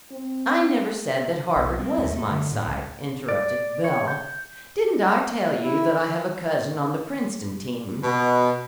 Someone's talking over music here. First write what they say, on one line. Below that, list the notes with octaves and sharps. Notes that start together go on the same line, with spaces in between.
"I never said that Harvard was my side," interrupted Belle, "didn't I tell you that I have a cousin on the Princeton team."
C4
B1
C4
D#2
A3
D3
A2
C#2
D5
C#5
G6
E4
B2